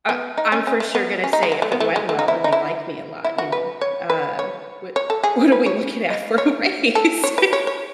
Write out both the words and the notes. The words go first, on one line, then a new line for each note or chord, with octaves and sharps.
Uh I'm for sure gonna say, if it went well and they liked me a lot, you know, um, "What what are we looking at for a raise?"
B3
D#4
C#4
C#4
A3
B3
C#4
D#4
G#3
F#3
A3
B3
A3
G#3
A3
D#4
E4
D#4
E4
E4
F#4
B4
C#5
B4
C#5
C#5
A4
G#4
B4
C#5
D#5
C#5
A4
C#5
B4
C#5
C#5